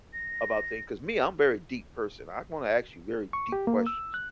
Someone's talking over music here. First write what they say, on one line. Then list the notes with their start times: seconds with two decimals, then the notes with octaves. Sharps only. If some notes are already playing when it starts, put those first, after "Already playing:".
about things 'cause me, I'm very deep person, I wanna ask you very deep questions,
0.13 A#6
3.33 C#6
3.52 G4
3.67 A#3
3.87 E6
4.14 F#6